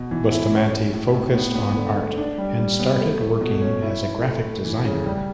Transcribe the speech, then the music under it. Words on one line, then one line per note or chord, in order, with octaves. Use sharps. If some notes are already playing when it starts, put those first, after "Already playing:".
Bustamante focused on art and started working as a graphic designer.
Already playing: B2
E3
E4
C#4
C#4
A2
A2
B3
B3
D3
A3
D4
G3
G3
B3
A3
A3
B2
C#4
E4
E4
A3
A3
E3
C#3
G3